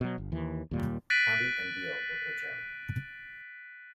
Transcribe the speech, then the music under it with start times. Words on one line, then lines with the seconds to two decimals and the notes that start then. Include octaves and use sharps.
Condit and Deal were co-chairmen.
0.01 B2 F#3
0.18 G1
0.32 D#2 E3
0.71 D#2 A#2 G3
1.10 F#6 A6 B6 D7 D#7 F#7